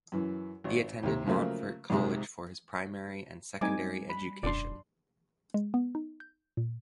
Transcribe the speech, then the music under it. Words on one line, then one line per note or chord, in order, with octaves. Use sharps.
He attended Montfort College for his primary and secondary education.
F#2 E3
G#1
D#2 C3
C#3 F3 F#3 A3 A#3
A#1 G#2 C3 G#3
G3 A3 C4 D#4 G#5 D6
B5
E1 B1 F#2 D4 D5 C6
G#3
B3
D#4
G6
A#2